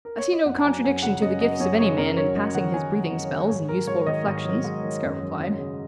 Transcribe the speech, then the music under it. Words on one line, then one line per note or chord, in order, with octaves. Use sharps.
"I see no contradiction to the gifts of any man in passing his breathing spells in useful reflections," the scout replied.
A#4
C#5
D#5
F#2 F#5
A#5
F#3 G#5
F#2 G#5
C#3 F#5
F#2 D#5
F#3 D#5
F#2 C#5
C#3 C#5
F#2 A#4
F#3 C#5
F#2 D#5
D#3 F#5
F#2 G#5
F#3
F#2
C#5
D#3
G#2 C#5
F#3 A#4
G#2 C#5
D#3 D#5
G#2
F#3
G#2
D#3
F#2
F#3
F#2
C#3